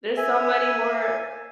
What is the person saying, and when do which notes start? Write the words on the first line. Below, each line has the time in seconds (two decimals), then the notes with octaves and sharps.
there's so many more
0.17 E5 G#5